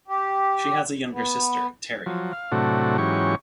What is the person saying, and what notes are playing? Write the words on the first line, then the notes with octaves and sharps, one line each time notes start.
She has a younger sister, Terry.
G4
B3
F3 F#3
F5
A2 C3 F#3 A3 D4 F#4
G#2 E3 F#3 C#4 G4 C#6